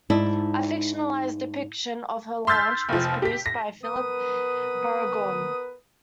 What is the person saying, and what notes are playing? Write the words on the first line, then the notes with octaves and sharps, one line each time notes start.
A fictionalised depiction of her launch was produced by Philip Burgoyne.
G#2 D#4 E4 D5 E5 A5
C6 E6 F6 G6 A6 B6
F1 F3
G4 B6
A#6
B3 A#4 B4 D#6